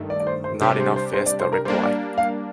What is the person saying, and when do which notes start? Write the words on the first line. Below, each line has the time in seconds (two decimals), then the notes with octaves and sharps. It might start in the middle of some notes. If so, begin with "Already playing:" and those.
Not enough, is the reply.
Already playing: G2 D#3 A3
0.10 D5
0.20 D5
0.27 C5
0.44 C5
0.61 C3 G3 D4 G4 C5
0.79 C5
0.96 C5
1.13 C5
1.26 D5
1.40 C5
1.53 A#4
1.65 G3 C5
1.68 A#3 D4
1.83 D5
2.18 F5